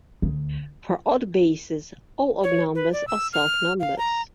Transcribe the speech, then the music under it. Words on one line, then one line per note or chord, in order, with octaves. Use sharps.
For odd bases, all odd numbers are self numbers.
D2
C#5
B4
D5
E6
F6
F5
A#5